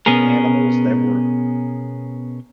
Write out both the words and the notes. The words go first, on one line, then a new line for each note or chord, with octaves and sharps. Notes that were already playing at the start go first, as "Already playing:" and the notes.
animals that were
B2 B3 C#4 G#4 A#4